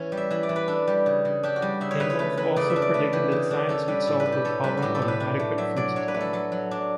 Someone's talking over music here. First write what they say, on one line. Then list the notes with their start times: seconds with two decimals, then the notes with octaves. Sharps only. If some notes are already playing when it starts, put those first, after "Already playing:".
Engels also predicted that science would solve the problem of an adequate food supply.
Already playing: E3 C#4
0.12 G3
0.17 E5
0.30 E3 E5
0.43 D5
0.49 E3
0.56 B4
0.68 D4 A4
0.87 G3
1.06 C#3
1.25 C#3
1.43 D4 G4
1.56 F#4
1.62 G3
1.81 C#3 E5
1.91 C#5
2.00 C#3 B4
2.10 C#5
2.19 A3 B4
2.37 E3 B4
2.56 C#3 D5
2.70 E5
2.76 D4
2.82 D5
2.94 A3 B4
3.13 E3 G4
3.32 C#3
3.51 D4
3.69 C#4 A4
3.88 G3 B4
4.07 A2 A4
4.20 B4
4.26 A2
4.32 G4
4.45 C#4 A4
4.64 G3 B4
4.77 F#4
4.82 A2 G4
4.95 A4
5.02 A2
5.08 B4
5.20 D4
5.40 A3
5.58 F#3 E5
5.76 F#3 D5
5.96 D4 C#5
6.08 B4
6.14 A3
6.21 A4
6.33 F#3 A4
6.52 F#3
6.71 D4